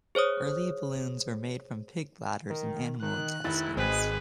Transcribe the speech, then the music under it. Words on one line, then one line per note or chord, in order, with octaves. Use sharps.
Early balloons were made from pig bladders and animal intestines.
G#4 C5 C#5 D#6
D#3
D#3 F#6
F1 D#3 E4 A6
G#1 G#3 C4 G#4 B4